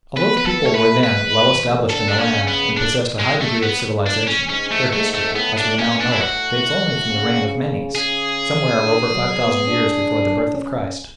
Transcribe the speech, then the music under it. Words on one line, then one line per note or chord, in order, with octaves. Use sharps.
Although the people were then well established in the land and possessed a high degree of civilisation, their history, as we now know it, dates only from the reign of Menes, somewhere over five thousand years before the birth of Christ.
B3 B4
B4
A4
A3
C#5
B4
G#3 B4
E3
D3 A4
D4
C#4
C#3
B3
D4
G#3
A3
B3
D4
C#4
G#2 C#4
A3
A3
A3
A2 B3
D4
B2 C#4
D4
E4
A2 F#4
C#3
C#3 G#4
D3
F#3
B3
D4
C#4